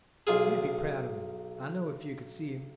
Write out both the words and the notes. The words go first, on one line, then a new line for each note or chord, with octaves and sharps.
You'd be proud of him, I know, if you could see him.
B1 F4 G#4